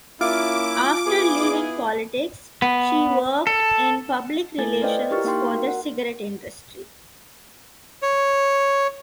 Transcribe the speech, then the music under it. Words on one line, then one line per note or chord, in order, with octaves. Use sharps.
After leaving politics she worked in public relations for the cigarette industry.
A#3 C#4 E4 F4 D6
B3 E4 G#4
B3
A4
A3 E4 F4 A4 G#5 A6
B4 C5 D5 D#5 F5 G5
E4 G4 A#4 C#6 F6 A6
A#3 D#4 F5 G5 C6
F#4 A#4
F#5
C#5